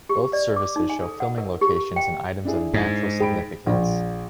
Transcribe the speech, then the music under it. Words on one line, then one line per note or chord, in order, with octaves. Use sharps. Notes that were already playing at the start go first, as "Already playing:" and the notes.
Both services show filming locations and items of natural significance.
G4
D5
D6
D#4
G#5
A4
F#5
A#4
G4
G5
D4 E4 G#4
G#2
G#4 G5 B5 D7
A#1